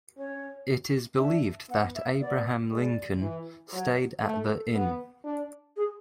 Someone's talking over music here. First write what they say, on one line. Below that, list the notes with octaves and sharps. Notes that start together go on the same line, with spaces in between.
It is believed that Abraham Lincoln stayed at the Inn.
C#4 C#5
D4 E5
B3 F#5
E5
B3 D5
G#3 D5
E3
F#3 C#5
A3 A4
B3
D4
G#4